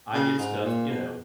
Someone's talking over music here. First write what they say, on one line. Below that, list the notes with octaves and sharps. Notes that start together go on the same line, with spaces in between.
I get stuff, you know
C#3
G#2
A#2
B2